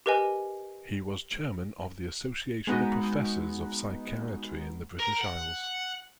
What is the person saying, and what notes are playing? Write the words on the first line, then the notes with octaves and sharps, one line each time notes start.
He was Chairman of the Association of Professors of Psychiatry in the British Isles.
G4 A#4 B4 D#5 G#5
G#3 B3 D#4 F#4
A#4
F#5